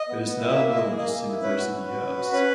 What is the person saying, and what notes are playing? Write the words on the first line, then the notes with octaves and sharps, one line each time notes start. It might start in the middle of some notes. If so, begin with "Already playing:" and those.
It is now known as University House.
Already playing: D#5
B3
B3
E4
D#5
A#3 E5
E4
D#5
G#4
A#3 D#5
A#3
E4
C#4 B4
F#4
C#4
F#4
C#4
F#4
C#4 B4